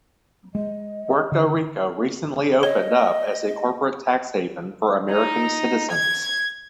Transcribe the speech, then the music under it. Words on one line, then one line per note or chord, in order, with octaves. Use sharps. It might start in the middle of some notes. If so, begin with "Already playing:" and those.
Puerto Rico recently opened up as a corporate tax haven for American citizens.
G#3 D#5
D3
C#5 D#5
D#4
G#6